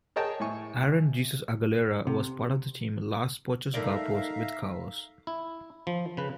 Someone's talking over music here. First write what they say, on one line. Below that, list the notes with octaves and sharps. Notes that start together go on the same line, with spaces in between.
Aaron 'Jesus' Aguilera was part of the team Los Pochos Guapos with Kaos.
G#4 A#4 C#5 D#5 G5 A5
A2 E4 G#5 C#6
C3
A3 D#4 A#4 D5 E5 F5 A#5
E4
F3
C#3 B4